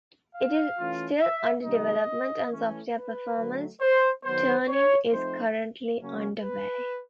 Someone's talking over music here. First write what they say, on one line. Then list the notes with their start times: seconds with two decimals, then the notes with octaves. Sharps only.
It is still under development and software performance tuning is currently underway.
0.34 F5
0.78 E3 A3 C#4 F4
1.21 E5
1.64 C3 D#3 G3 A#3 D#4 D#5
2.50 E3 A3 C#4
2.94 B4
3.37 D3 F#3 A3
3.81 C5
4.24 D#3 F#3 B3 C5
4.67 C#5
5.10 F3 A3 C4 D#4 C5
5.97 C#3 F#3 A#3 C#4
6.40 B4